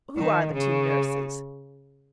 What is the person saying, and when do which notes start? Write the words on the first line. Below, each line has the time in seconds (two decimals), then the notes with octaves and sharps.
'Who are the two nurses?'
0.17 D#3
0.54 C#3